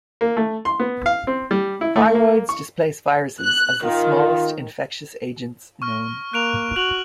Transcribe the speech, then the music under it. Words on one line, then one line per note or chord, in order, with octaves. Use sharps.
Viroids displace viruses as the smallest infectious agents known.
A#3
A3
C6
B3
F5
C4
G3
E4
A3
A#3
C#6
F#6
D#3 F4
C#6 F6
A#3 F#6 D7 F7
F#4 F#6 F7 F#7